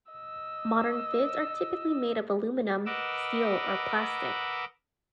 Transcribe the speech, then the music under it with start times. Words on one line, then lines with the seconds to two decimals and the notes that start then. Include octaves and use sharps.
Modern fids are typically made of aluminum, steel, or plastic.
0.12 D#5 E6
2.86 A#4 B4 D#5 F#5 D6 E6